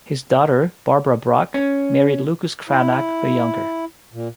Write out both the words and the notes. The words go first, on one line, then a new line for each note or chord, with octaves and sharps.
His daughter Barbara Bruck married Lucas Cranach the Younger.
C#4
E4
A#2